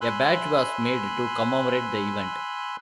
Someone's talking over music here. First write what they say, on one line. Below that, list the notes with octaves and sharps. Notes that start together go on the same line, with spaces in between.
A badge was made to commemorate the event.
G#5 B5 C6 E6 F#6